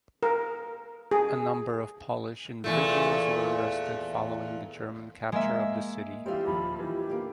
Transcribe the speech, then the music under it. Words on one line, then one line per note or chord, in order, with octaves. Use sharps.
A number of Polish individuals were arrested following the German capture of the city.
A#4
G#4
E2 A#2 A3
G#3 A#3 E5
E3 G3 C4 F4 G4 E5
D#1 F3 B5
D#3 E3 G4
D3 A#3